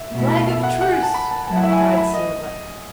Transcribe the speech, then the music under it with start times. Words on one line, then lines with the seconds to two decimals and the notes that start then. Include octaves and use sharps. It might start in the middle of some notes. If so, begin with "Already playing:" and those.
"Flag of truce," cried Silver.
Already playing: E5
0.14 B2 A3 E4
0.47 E5
0.63 F#5
0.81 F#5
0.91 G#5
1.03 A5
1.14 B5
1.31 A5
1.48 F#3 A3 E4 A5
1.56 F#5
1.63 E5
1.72 G#5
1.81 A5
1.98 B5
2.14 D#5